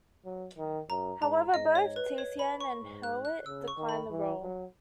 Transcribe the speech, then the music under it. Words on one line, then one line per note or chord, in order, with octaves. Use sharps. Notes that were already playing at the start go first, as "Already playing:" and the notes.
However, both Thiessen and Hewitt declined the role.
F#3
D#3
F#2 A#5
G#2 A#5
G#2 D#5
C#5
B4
C#5
B5
C#6
G#2
F#6
F#6
C#3 E6
C#6
D#3
B5
E3
F#3